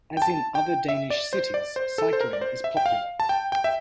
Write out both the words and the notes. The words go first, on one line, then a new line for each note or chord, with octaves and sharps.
As in other Danish cities, cycling is popular.
G5
A5
G5
E5
D5
C5
D5
C5
A4
C5
A#4
D5
C5
E5
G5
F5
A5
G5
G5
E5